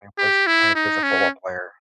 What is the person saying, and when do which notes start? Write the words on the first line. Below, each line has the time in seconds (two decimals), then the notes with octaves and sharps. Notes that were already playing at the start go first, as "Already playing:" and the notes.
When he plays when he plays a football player.
0.18 G4
0.47 E4
0.75 D#4
1.03 C#4